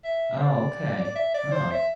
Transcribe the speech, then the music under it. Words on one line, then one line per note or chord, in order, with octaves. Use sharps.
Oh, okay. Oh,
E5
C5
D5
D5
E5
D5
C5
E5